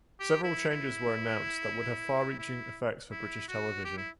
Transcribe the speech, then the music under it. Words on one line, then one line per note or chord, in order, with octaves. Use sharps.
Several changes were announced that would have far-reaching effects for British television.
G4
E4
E4
E4
E4
F#4
G4
E4